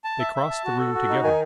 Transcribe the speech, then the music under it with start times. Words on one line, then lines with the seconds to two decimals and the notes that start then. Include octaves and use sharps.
They crossed the room together.
0.04 A5
0.20 E5
0.34 E5
0.50 A5
0.65 F#4
0.79 A4
0.94 F#4
1.09 D#4
1.23 D#3 G#5